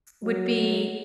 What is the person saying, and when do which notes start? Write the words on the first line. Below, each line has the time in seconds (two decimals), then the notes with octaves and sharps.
would be
0.24 F#3